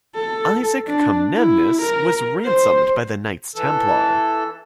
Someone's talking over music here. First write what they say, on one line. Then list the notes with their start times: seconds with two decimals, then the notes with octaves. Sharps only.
Isaac Comnenus was ransomed by the Knights Templar.
0.15 A4
0.88 D4
1.35 E4
1.82 A#4
2.45 C5
3.55 E3 A4